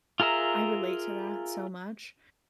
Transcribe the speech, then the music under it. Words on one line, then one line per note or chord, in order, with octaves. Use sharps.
I relate to that so much,
F4 G#4 A#4 E5 A#5